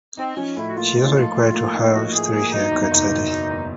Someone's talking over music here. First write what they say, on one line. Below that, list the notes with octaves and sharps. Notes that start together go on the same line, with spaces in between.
She is also required to have three haircuts a day.
C4 D#4
F3 C#4
A2 E4
F#4
A#3 F4
D#4
F3
A2
A#3
D#4
F3 F#4
A2 G#4
A#3 G#4
F#3 D#4
E2
D#4
F#1
B2
F#3
E2